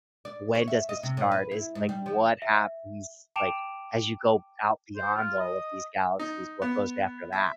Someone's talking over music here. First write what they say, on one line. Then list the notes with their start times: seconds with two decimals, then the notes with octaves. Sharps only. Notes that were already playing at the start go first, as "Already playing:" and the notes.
when does it start? Is, like, what happens, like, as you go out beyond all of these galaxies, what goes after that?
0.25 D5
0.55 C#5
0.68 E5
0.89 D#5
1.03 C3
1.17 A2
1.31 B4
1.51 E4
1.75 G#2
1.89 G3
2.06 F3
2.42 E5
3.36 G5 A5 D6 D7 E7 F7
4.96 C5
5.14 F4
5.39 D#5
6.19 D#4
6.62 B3
7.33 E5